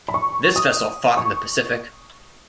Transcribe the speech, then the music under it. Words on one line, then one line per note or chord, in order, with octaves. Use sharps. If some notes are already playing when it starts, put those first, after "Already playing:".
This vessel fought in the Pacific.
B5
C#6
D#6
C#6